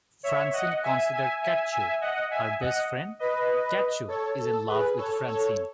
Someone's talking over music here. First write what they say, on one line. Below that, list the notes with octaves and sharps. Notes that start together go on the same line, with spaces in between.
Francine considers Katchoo her best friend; Katchoo is in love with Francine.
C#5 E5
D#5 F#5
E5 G#5
E5 G#5
E5 G#5
E5 G#5
D#5 F#5
E5 G#5
D#5 F#5
B4 D#5
A4 C#5
A4
G#4 B4
A4 C#5
A4 C#5